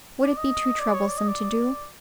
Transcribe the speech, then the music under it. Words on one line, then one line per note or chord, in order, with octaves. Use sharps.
Would it be too troublesome to do?'
D5
D#5
D5
C#5
D5
D#5
D5